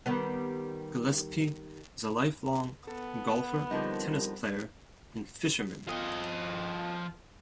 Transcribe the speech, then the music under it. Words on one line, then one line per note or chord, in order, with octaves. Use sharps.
Gillespie is a lifelong golfer, tennis player, and fisherman.
D#3 G3 B3
B3 A4
D3 F3 G3 C4 D#4 A#4
F3 D#5